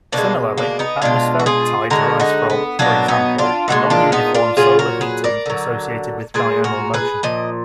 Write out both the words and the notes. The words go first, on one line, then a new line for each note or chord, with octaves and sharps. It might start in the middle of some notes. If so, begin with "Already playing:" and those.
Similarly, atmospheric tides arise from, for example, non-uniform solar heating associated with diurnal motion.
B2 G#3 A#3 D4
A#3 D4
B3 D#4
B2 G#3 D4 F4
F#4
F4 G#4
D3 G#3 F#4 A#4
D#4 F#4
B3
B2 F#3 A#3 D4
B3 D#4
D4 F4
A#2 F3 G#3 D#4 F#4
D4 F4
B3 D#4
D4 F4
A#2 F#3 F4 G#4
F#4 A#4
G#4 B4
A#4 D5
D3 F#3
A#2 G#3 G#4 B4
F#4 A#4
G#4 B4
A#2 F3 D#5